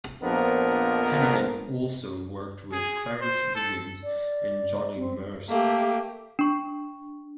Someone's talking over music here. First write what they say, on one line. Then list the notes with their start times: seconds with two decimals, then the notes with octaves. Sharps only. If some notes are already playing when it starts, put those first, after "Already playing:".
Hanighen also worked with Clarence Williams and Johnny Mercer.
0.23 A#1 F2 F3 B3 D4 A#4
2.72 G#4
3.21 C5
3.55 A4
4.03 D5
4.96 C4
5.49 A3 A#3 G4
6.39 D4 C#6